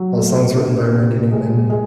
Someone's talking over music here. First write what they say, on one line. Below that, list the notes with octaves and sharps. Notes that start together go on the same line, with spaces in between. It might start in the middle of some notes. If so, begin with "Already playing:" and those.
All songs written by Randy Newman.
Already playing: F#3
A3
D3
C3
G#3
G#3